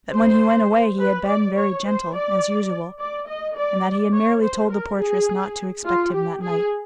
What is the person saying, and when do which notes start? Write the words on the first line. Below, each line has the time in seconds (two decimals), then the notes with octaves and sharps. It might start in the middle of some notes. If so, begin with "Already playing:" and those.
That when he went away he had been very gentle, as usual, and that he had merely told the portress not to expect him that night.
0.13 C5
0.99 B4
1.27 D5
1.56 C#5
1.85 C5
2.13 D5
2.99 D5
3.27 D#5
3.56 D5
4.13 C#5
4.42 C5
4.70 A#4
4.99 G#4
5.85 F4
6.13 G4
6.42 G#4